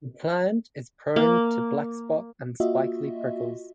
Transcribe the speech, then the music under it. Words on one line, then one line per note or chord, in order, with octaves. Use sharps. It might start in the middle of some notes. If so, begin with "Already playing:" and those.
The plant is prone tp blackspot and spiky prickles.
A#3
A#3 F4 F#4 D#5 E5